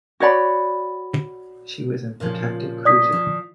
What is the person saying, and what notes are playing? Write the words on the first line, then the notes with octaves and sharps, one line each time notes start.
She was an protected cruiser.
F#4 C#5 D5 B5
A#2 C#3 F3
D5 D#6 B6
F3